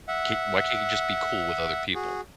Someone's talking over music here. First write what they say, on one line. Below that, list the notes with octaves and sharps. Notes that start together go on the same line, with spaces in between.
Ca why can't you just be cool with other people?
E5 F#5
F#4 G#4